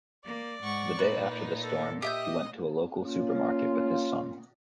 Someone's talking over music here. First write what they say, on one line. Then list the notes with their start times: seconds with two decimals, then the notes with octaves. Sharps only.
The day after the storm, he went to a local supermarket with his son.
0.25 A#3 D5
0.63 G#2 F#5 C#6
0.99 A#2 D#4 B4
1.63 A4
2.02 G4 D#5 E5 D#6 G6
3.04 A#3 C#4 F4